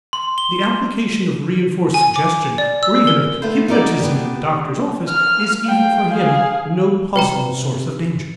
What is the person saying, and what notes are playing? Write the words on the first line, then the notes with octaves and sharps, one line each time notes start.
The application of reenforced suggestion or even of hypnotism in the doctor's office is even for him no possible source of danger.
C6
G7
G#5
D6
D5
E6
A#4
A3 B3 C5
D#4 F#4 A4 A#4 C#5 D5
B3 D4 G4
F6
F5 G5
G#4 F5
C3 B4 G5 A#5